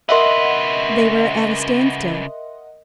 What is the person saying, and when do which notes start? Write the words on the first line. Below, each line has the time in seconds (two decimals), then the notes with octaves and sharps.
They were at a standstill.
0.09 C#3 A#4 B4 D#5 E5 F#5 C6